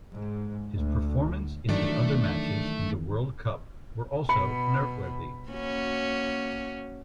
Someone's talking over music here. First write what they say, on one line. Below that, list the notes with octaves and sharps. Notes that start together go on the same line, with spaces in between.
His performance in the other matches in the World Cup were also noteworthy.
G#2
D2
D#3 E3 F#3 A3 D4 A4
B2 B5 C#7
A#3 C#4 F#4